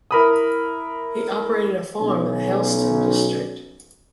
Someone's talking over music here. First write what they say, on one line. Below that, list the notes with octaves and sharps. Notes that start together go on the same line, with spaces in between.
He operated a farm in the Helston district.
E4 A#4 B5 D#6
B1 C#4